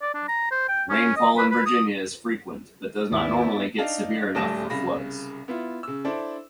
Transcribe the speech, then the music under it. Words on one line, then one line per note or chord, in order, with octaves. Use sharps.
Rainfall in Virginia is frequent, but does not normally get severe enough for floods.
D5
D4
A#5
C5
G5
C#4
D#5
B4
B4
D#6
D#2 G#2 B3 E4 D5 E5
D4 D#4 F5 A5
D#1 D2 G3 A5 A#6 E7
C2 C#3 F5 B5 A#6
B3 E4 F4
C#3 E6
D4 E4 A4 C5 D5